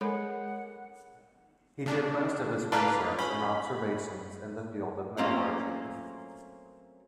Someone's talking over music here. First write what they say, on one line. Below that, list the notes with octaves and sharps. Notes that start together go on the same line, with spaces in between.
He did most of his research and observations in the field of metallurgy.
G#3 A4 A#4 C#5 F#5 B5
C#3 D4
A#3 D4 A4 B4 F5
C#4 B5
F#3 A3 A#3 C4 C#4 F4